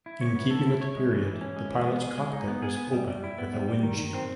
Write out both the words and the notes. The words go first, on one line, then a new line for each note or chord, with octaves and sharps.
In keeping with the period, the pilot's cockpit was open with a windshield.
E4
C#5
B3
A4
E4
C#5
G#3
E3
E3
C#4
G#3
E3
B3
G#4
G#3
D#4
B3
G#4
B3
G3
G3
E4
B3
G3
G3
D#3
D#3
C4